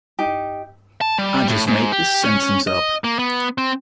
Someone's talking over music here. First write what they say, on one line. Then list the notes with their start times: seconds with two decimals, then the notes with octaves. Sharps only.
I just made this sentence up.
0.19 D#4 G4
1.01 A5
1.18 G3
1.49 A2
1.67 G#2
1.92 G4
2.23 C#4
2.67 D#5
3.04 A#3
3.19 B3
3.58 C4